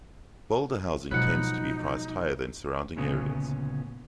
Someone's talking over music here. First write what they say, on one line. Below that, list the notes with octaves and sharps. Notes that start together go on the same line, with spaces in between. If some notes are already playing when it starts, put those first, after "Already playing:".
Boulder housing tends to be priced higher than surrounding areas.
G#2 B2 F3 F#3 D#4 B4 F#5
D2 A#2 C#3 B3 C#4